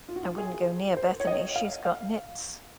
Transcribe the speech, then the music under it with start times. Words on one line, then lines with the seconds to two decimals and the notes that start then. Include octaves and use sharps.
I wouldn't go near Bethany, she's got nits.
0.08 F4
0.16 F#4
0.23 F4
0.38 G#4
0.97 C5
1.20 C#5
1.27 D#5
1.56 F5
1.85 F5